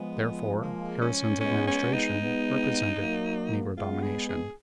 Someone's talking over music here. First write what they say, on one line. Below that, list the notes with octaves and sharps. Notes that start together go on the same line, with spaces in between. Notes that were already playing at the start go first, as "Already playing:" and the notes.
Therefore, Harrison's administration represented "Negro Domination."
Already playing: F3 G#3 B3
A#3
C#4
G#3 B3 C#4
C#4
G#3 B3
D#4
G#3 B3
F#3 A#3
G#3 B3 F4
G#4
G#4